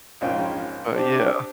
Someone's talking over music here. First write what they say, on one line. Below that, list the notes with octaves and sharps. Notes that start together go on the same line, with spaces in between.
But, yeah.
A#1 G#2 C#4 F4 G5
C4 D4 G4